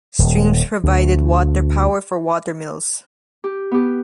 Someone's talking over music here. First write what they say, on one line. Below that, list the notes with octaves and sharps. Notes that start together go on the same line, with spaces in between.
Streams provided water power for watermills.
D#1
D2
G4
B3 G4